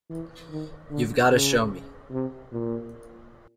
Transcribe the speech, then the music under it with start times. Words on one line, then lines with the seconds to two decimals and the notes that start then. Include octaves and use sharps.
You've got to show me.
0.10 E3
0.50 D#3
0.91 D3
1.31 C#3
2.11 C3
2.52 A#2